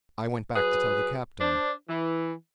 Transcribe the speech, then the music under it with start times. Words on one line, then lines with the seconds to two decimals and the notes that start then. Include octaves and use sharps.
I went back to tell the captain.
0.56 F#3 G#4 B4
1.41 D4 C5
1.89 E3